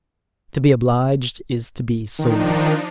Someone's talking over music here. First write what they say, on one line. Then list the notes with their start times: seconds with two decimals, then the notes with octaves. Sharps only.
To be obliged is to be sold.
2.19 D#3 F3 D4 D#4